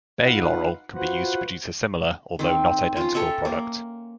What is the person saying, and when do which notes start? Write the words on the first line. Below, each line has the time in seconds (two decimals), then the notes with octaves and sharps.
Bay laurel can be used to produce a similar, although not identical, product.
0.21 D#4 F4 B4 F5 F#5
0.94 F4 F#4 B4 C5 F#5
2.39 D#3 C4
2.97 C#4 F4
3.14 A4 C#5 E5 G5
3.45 A#3